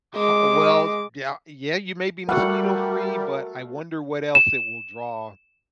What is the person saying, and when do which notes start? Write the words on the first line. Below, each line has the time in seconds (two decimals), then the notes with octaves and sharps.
Ho oh, well, d yeah yeah, you may be mosquito free, but I wonder what else it will draw
0.16 G#3 D6
2.29 G3 A3 F#4 A#4 F5 F#5
4.35 E7